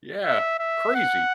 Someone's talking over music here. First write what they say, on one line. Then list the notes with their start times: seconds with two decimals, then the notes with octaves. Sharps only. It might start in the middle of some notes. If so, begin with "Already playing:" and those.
Yeah, crazy.
0.24 E5
0.59 E5
0.95 F#5